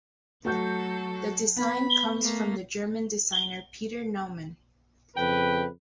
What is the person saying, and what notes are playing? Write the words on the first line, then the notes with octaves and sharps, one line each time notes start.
The design comes from the German designer Peter Naumann.
F#3 A3 F#4 A4 G6
B3 B5
A3 A#3
F2 C#3 B4 G5